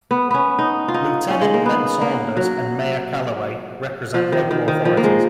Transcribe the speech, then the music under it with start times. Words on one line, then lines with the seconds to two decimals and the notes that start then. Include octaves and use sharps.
Lieutenant Ben Saunders and mayor Calloway represent local authorities.
0.11 B3
0.31 B3 C#4
0.59 D#4
0.88 F4
0.94 D#4
1.30 C#4
1.41 G#3
1.54 A#3
1.66 B3
2.02 A#3
2.37 F#3
4.14 F3
4.32 D#3
4.51 D#3
4.68 D#3
4.85 F3
4.97 A#3
5.04 G#3